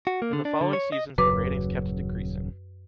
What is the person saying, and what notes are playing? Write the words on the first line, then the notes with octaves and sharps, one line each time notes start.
In the following seasons the ratings kept decreasing.
F#4
A#3
D3
D4
D3
C#5
D#5
D#1 F#2 C#3 F#3 B4 D6